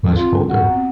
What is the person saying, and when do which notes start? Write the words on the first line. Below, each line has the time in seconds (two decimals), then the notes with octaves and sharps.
Much colder.
0.16 C4 F4
0.49 F#4
0.65 B3
0.73 C4